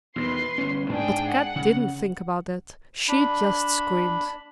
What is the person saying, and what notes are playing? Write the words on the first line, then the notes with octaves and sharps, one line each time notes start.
But Kat didn't think about that; she just screamed.
E2 B2 D#3 B4 C6
G1 C#4
G#2 D4 G#4 G5
F#5
C#3
D4 B5